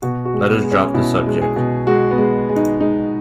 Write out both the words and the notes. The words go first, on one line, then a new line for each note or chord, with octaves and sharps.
Let us drop the subject.
B2 F#4
F#4
G#3
B3
G#3
C#4
B2 E4
G#3
G#4
B2
G#3 F#4
B3
G#3
G#3
D#4
G#3 D#4